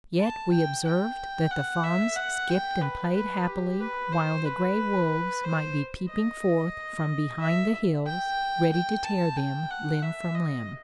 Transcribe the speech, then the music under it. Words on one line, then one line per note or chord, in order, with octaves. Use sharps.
Yet we observed that the fawns skipped and played happily while the gray wolves might be peeping forth from behind the hills, ready to tear them limb from limb.
A5
G5
G5
F#5
E5
F#5
G5
B4
B4
G4
B4
C5
B4
C5
D#5
E5
G5
G5
A5
G5
F#5
E5
D#5